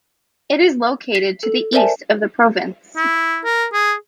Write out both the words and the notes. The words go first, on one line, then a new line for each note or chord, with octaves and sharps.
It is located to the east of the province.
B6 C7
A4
A#4 C5 D5 E5 G#5 A5
E4
A#4
G#4